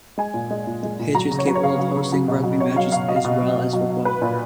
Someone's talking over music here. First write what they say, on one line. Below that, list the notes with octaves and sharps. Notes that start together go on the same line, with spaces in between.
The pitch is capable of hosting rugby matches as well as football.
G#3 G#5
A#2
G#3
A#2
G#3
A#2
F#3 A#5
C#3
C#5
F#3 B4
C#5
C#3 F5
F#3
C#3
F#3
B2
F#3
B2 C#5
F#3 F5
B2 F5
F#3 D#5
F5
B2 D#5
F#3
B2
F#3
B2
F#3 B4
A#2